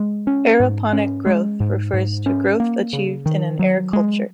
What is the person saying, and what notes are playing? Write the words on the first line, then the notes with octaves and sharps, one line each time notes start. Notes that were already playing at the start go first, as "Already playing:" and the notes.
"Aeroponic growth" refers to growth achieved in an air culture.
Already playing: G#3
C#4
G#2
C#4
G#3
G#2
G#2
C#4
A#3
C#3
D#3
F#3
G#3